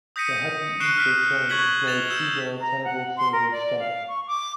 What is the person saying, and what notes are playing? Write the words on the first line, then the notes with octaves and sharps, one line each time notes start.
The Happy Eater chain employed female table serving staff.
D#6 G6 A#6 B6 C#7 D#7
C#6 F#6 C7 D7 E7 G7
F6 F#6 B6 D7
C#6 F#6 G#6 B6 F#7 G7
A6 E7 F7 G7
E6 G6 E7
A#5
F#5
C6
A#4
D5
F5
C#6
D6